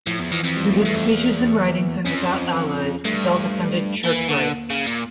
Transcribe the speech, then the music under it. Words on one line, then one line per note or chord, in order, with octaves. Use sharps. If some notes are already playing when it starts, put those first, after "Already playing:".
Through his speeches and writings and without allies Zell defended Church rights.
A2 F3
E2
F2 E3
F2
G3
A3
A3
G2
F2 A3
E2 A#3
F2 C#4
G2 A3
E3 A#3
D3
C#3
A#2